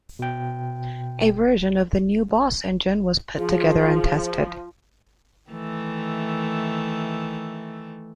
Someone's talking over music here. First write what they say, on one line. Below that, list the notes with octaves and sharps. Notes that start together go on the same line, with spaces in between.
A version of the new Boss engine was put together and tested.
B2 G5
F3 F4 G#4
D#3 E3 A3